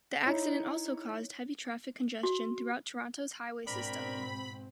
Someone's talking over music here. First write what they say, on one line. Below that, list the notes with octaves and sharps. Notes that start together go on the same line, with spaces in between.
The accident also caused heavy traffic congestion throughout Toronto's highway system.
D#4 E4 C#5
F#4
G#2 B2 C4 D4 A#4 D5 B5